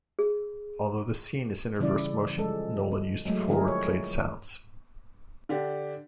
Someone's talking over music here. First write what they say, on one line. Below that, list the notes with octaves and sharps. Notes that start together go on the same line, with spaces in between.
Although the scene is in reverse motion, Nolan used forward-played sounds.
G#4
C#3 E3 G3 E4 D5
F3 G#3 A4
F#3 G#3 A3
D3 F3 C4 E4 G#4 A#4
C#5
D3 D4 G4